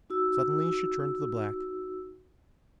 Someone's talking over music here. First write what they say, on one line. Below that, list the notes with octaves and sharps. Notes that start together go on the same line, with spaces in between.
Suddenly she turned to the black.
D#4 F#4 E6